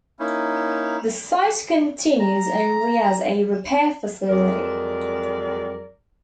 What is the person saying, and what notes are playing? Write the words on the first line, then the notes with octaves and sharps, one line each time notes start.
The site continues only as a repair facility.
A#3 C#4 D#4 E4
A#5
F2 F#3 G#3 A#4 D5